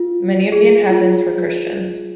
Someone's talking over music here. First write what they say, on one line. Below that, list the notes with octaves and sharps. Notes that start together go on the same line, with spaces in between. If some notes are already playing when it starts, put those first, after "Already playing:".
Many of the inhabitants were Christians.
Already playing: F4
G#4
F4